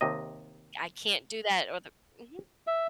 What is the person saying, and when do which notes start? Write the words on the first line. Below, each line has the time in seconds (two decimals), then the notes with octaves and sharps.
I I can't do that, or the mhm.
0.01 D#2 C3 D#5
2.67 E5